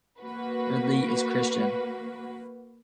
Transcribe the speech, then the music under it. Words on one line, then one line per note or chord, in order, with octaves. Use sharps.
Ridley is Christian.
A#3 F#4 B4